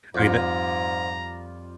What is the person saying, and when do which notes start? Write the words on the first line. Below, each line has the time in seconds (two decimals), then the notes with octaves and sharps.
I mean, tha
0.15 F2 G#2 G3 F4 D5 A#5